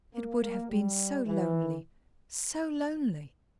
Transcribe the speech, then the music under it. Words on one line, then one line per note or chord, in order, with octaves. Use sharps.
It would have been so lonely, so lonely!
A#3
A#3
G3
E3